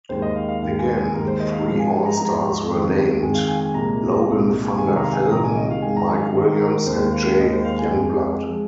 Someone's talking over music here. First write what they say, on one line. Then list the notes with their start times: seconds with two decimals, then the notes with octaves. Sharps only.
Again, three all-stars were named, Logan Vander Velden, Mike Williams, and Jay Youngblood.
0.09 D#2 D#3 G#3 C5
0.22 D#5
0.36 F5
0.49 F5
0.62 D#2 D#3 G#3 F5
0.79 G#5
0.97 G#5
1.14 D#2 D#3 G#3 A#4
1.27 C5
1.40 D#5
1.52 F5
1.66 G#2 F3 G#3 F5
1.80 G#5
1.93 G#5
2.06 A#5
2.17 G#2 F3 G#3 A#5
2.70 F2 D#3 G#3
3.22 F2 D#3 G#3 G#5
3.35 F5
3.48 G#5
3.61 G#5
3.74 C2 A#2 G#3 A#5
4.27 C2 A#2 G#3
4.78 C2 C3 D#3 G#3 G#5
4.97 A#5
5.05 F5
5.13 G#5
5.31 C2 C3 D#3 G#3 A#5
5.44 G#5
5.57 D#5
5.70 F5
5.82 G#2 D#3 G#3 G#5
5.96 A#5
6.09 G#5
6.22 F5
6.34 G#2 D#3 G#3 D#5
6.49 A#4
6.60 A#4
6.75 A#4
6.86 D#2 D#3 G#3 C5
7.13 F5
7.39 D#2 D#3 G#3 D#5
7.53 C5
7.65 F5
7.79 G#5
7.91 F2 F3 G#3 G#5
8.45 F3 G#3